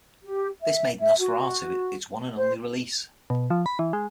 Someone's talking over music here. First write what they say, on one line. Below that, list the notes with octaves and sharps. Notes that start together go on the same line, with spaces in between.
This made "Nosferatu" its one and only release.
G4
E5
E5
F#4
C5
B2
F3
B5
E3
G#3